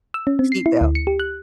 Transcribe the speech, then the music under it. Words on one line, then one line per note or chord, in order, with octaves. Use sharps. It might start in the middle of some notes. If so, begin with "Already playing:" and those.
Seat belt.
E6
C#4
C4
C7
E4
D2
C#7
G4
F#6